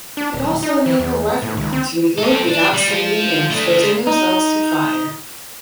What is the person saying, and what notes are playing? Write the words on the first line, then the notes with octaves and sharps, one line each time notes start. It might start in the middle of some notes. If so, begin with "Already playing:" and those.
It also enabled riflemen to reload without standing and exposing themselves to fire.
D4
D#1
D#4
E3
E2
A2
C#2
C4
C4 A4
D4
G3
F3 F4
A3 D4
D#4